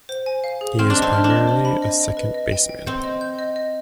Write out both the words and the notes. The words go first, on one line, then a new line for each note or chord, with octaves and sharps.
He is primarily a second baseman.
C5
G#5
F5
G#4
C4 F6
D4
D#5
C4
F6
D4
D#5
C5
B5
D#5
D#5
B4
D#5
G5
G5
C4 G6
D#5
G6
D#5
D#5